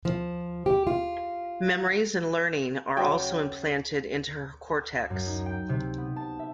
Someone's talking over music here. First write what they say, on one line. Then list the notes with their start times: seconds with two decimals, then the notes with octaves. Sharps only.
Memories and learning are also implanted into her cortex.
0.05 F3
0.66 G4
0.87 F4
2.97 C#3 F#3 F#4 G5
5.10 F#2
5.26 D#4
5.46 G5
5.69 C3
5.98 B3
6.16 A5
6.39 E5